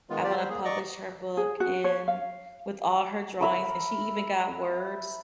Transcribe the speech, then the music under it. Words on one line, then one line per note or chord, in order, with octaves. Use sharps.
I wanna publish her book, and with all her drawings and she even got words
D#3 G#3 B3 F4
F4 G4 D5
G3 C5
A#3 G#4
D5 D#5 A#5 C#6 D6
G#4
F#4
C#5
F5
A#4 E5 B5